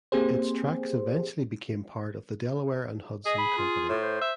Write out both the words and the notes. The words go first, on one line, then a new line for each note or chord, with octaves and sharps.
Its tracks eventually became part of the Delaware and Hudson Company.
A#3 C4 G4 G#4 C5
G#4 D#5
B5
F4
A2
C5
E5